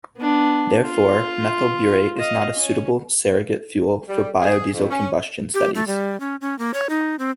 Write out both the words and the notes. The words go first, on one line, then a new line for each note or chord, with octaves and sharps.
Therefore, methyl butyrate is not a suitable surrogate fuel for biodiesel combustion studies.
B3 D4
F4 C6
D#5 F5
C#4
G3
G#4
F2
C#4
G4
A3
G3
C#4
C#4
A#3
C#5
D#4
C4